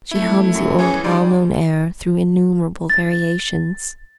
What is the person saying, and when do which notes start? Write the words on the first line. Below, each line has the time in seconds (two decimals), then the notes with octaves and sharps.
She hums the old well-known air through innumerable variations.
0.11 F2 A3 E4
0.53 F#2
0.79 E3 C#4 G#4
1.04 G3 D#4 D5 C6
2.90 A6